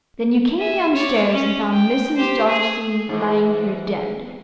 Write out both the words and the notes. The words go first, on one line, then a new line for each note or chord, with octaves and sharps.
"Then you came downstairs and found Mrs. Darcy lying here--dead?"
E5 G#5
C#5 D5
C#4
G5
G4 C5
G#4
G#2 E3